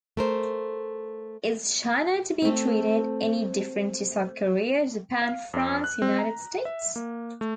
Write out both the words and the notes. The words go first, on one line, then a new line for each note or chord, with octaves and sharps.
Is China to be treated any different to South Korea, Japan, France, United States?
A3 A#4 C5
A3 C4
F5
F2
F#6
C4
A#5
E5
A#3
A3